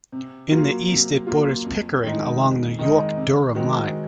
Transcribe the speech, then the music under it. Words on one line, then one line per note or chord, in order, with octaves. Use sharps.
In the East it borders Pickering along the York-Durham Line.
C3
F#3 A#3 F4
C3
F#3 A#3 F4
F2
D#3 G#3 D#4
F2
D#3 G#3 D#4
C3
D#3 G#3 C4 F#4